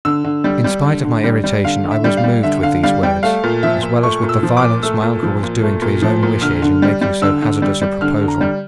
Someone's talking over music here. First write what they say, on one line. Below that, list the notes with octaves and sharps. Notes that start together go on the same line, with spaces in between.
In spite of my irritation I was moved with these words, as well as with the violence my uncle was doing to his own wishes in making so hazardous a proposal.
D3 E6
D3
G3
G3
D3
D3
G3
G3
D3 F5
D3
E5
G3
F5
G3
D3 E5
D3 F5
G3 F5
G3 G5
A3 F5
A#2
F3 E5
A#2
A3 C#6
A#2
E6
F3
D6
A#2
A3 E6
A#2
F3
A#2
A3
A#2
F3
A#2
D3 F6
D3
G3
G3
D3 E6
D3
G3
G3
D3 F6
D3
A#5
G3